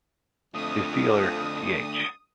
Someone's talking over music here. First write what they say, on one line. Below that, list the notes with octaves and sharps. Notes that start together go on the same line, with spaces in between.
His dealer, D-H.
F2 D3 A3 D#6